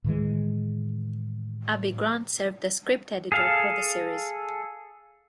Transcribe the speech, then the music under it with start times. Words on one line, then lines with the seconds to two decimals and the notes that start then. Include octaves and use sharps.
Abi Grant served as script editor for the series.
0.04 A2 D#3 E3 G#3
3.32 G#4 A4 F5